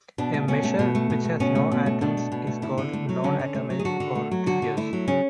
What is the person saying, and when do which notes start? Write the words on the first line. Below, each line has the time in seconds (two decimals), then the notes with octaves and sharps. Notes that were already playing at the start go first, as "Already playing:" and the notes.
A measure which has no atoms is called non-atomic or diffuse.
0.18 B2 D4
0.34 A3
0.48 B2 C#4
0.63 A3
0.79 B2
0.95 A3
1.10 B2
1.25 A3
1.40 B2 C#4
1.55 A3
1.71 B2
1.86 A3
2.01 B2 D4
2.17 A3
2.32 B2
2.47 A3
2.62 D3 E4
2.78 D3
2.93 A3
3.09 F#3
3.24 D3 C#4
3.39 D3
3.54 A3
3.70 F#3
3.79 G#4
3.85 D3 F#4
4.00 D3
4.15 A3
4.31 F#3
4.46 D3 F#4
4.62 D3
4.77 A3 E4
4.93 F#3
5.08 C#3 C#4